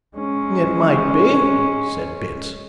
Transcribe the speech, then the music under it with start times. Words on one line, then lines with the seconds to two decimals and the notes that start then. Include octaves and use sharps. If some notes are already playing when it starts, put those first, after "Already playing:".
"It might be," said Bince.
0.17 G#3 C#4